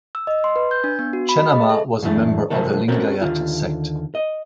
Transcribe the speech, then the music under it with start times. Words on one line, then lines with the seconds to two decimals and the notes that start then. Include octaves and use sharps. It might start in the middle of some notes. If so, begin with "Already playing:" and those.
Chennamma was a member of the Lingayat sect.
0.15 E6
0.27 D#5
0.44 C6
0.56 B4
0.71 G6
0.84 D4
0.99 B3
1.13 F#4
1.29 B5
1.43 D#5
1.56 G#4
1.70 A4
2.03 F#2 A2 E3 A3 D4
2.50 C3 F3 F#3 A3 A#3 A4
2.88 C4 C#4 F#4 A4 A#4
3.21 D#2 D3 F4
4.15 D#5